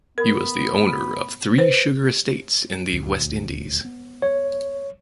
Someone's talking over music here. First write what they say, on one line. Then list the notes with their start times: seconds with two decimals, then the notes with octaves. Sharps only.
He was the owner of three sugar estates in the West Indies.
0.18 B3 A#4
1.58 B4 C5
2.92 D#1 D2
3.85 B3
4.22 C#5